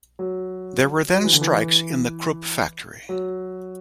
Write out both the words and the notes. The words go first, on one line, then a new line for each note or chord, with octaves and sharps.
There were then strikes in the Krupp factory.
F#3
F#3
E3
D3
E3
F#3